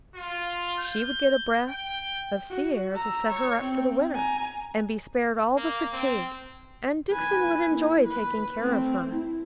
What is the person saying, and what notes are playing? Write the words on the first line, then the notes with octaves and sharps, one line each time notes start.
She would get a breath of sea air to set her up for the winter, and be spared all the fatigue, and Dixon would enjoy taking care of her.'
F4
G6
G5
F#4
A#5 E6
C#5
C4
G#5 A#5
A#3
C4
B4 G#5
A#3 E4
B4
A3 C4
E4